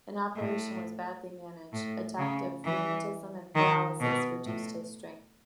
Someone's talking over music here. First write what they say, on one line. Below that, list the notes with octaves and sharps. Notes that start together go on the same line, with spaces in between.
An operation was badly managed; attacks of rheumatism and paralysis reduced his strength.
A2
A2
C#3
E3
D#3
B2
A2